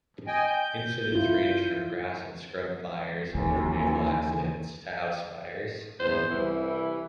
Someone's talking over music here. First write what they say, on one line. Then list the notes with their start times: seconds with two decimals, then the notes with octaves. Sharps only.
Incidents range from grass and scrub fires, motor vehicle accidents, to house fires.
0.27 D#5 G5 G#5
0.46 G6
1.12 E4 F4
3.34 D#2 C#3 E3 G#5
6.00 E2 B3 C5
6.31 C2 E3 E4